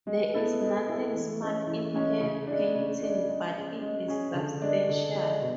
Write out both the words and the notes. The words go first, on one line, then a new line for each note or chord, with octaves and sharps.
There is nothing smart in her painting, but it is substantial.
G#3
B3 E4 A4
G#3
B3 E4 A4
E3
G#3 C#4
E3
G#3 C#4
C#3
G#3 D4
C#3
G#3 D4
G#3
C#4 G#4
G#3
C#4 G#4
D3
G#3 D4
D3
G#3 D4
B2